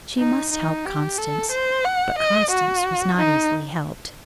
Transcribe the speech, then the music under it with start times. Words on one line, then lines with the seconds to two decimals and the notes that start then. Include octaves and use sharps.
She must help Constance, but Constance was not easily helped.
0.18 D#4
0.52 D#4
0.85 G4
1.18 A4
1.51 C5
1.84 F#5
2.18 D#5
2.51 F#4
3.17 D#4